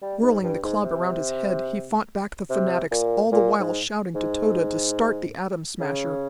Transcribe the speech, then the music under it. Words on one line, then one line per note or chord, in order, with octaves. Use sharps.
Whirling the club around his head, he fought back the fanatics, all the while shouting to Tode to start the Atom Smasher.
G3
G#2
G2
G#2
C3
C3
A#2
A#2
G#2
G#2
C#3